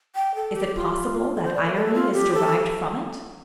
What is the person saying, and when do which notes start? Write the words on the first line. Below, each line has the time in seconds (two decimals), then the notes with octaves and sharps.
Is it possible that irony is derived from it?
0.15 G5
0.35 A4
0.54 G4
0.75 F4
1.35 A4
1.44 C5
1.54 D5
1.64 A#4
1.74 A4
1.94 F4
2.13 G4
2.34 A4